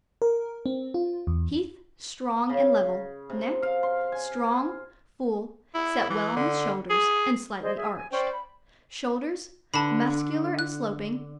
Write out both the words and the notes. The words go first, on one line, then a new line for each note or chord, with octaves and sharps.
TEETH--Strong and level. NECK--Strong, full, set well on the shoulders, and slightly arched. SHOULDERS--Muscular and sloping.
A#4
C4
F4
E2
C#3
C3
F5
C6
G#5
E4
E3
D3
G#4
G#4 C5 D5 D#5
G#4 E5
G#5
C#4 C5 D5 G5
B5
D3 A5 B5
F#6